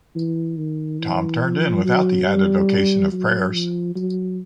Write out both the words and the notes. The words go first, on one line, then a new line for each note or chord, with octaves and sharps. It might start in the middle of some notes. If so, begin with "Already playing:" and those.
Tom turned in without the added vocation of prayers.
E3
D#3
E3
F3
F#3
G3
F#3
F3
F#3